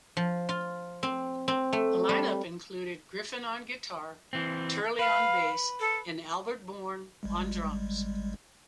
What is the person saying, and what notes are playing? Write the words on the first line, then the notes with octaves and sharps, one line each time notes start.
The lineup included Griffin on guitar, Turley on bass, and Albert Born on drums.
F3
F4
C4
C4
A3
G3
E3 C4
B4 F5
A4
G#1 G3 G#3